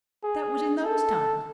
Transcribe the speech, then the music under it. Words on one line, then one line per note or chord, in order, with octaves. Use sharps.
That was in those times.
G#4
A4